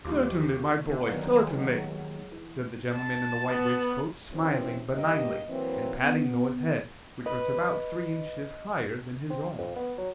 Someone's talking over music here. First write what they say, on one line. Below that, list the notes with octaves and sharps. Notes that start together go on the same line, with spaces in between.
'Certainly, my boy; certainly,' said the gentleman in the white waistcoat: smiling benignly, and patting Noah's head, which was about three inches higher than his own.
D#2 A2 F3 G4 D6
D3
D#2 G#2 F#3 A#3 B3 D#4
G#3
E3
A5
B3
F#2 C3 E3 C4 E4
G2 A#3 G4 D#5
E3 F#3 A#3 C4
B3
B4 D#5
C4
F2
B3
F#3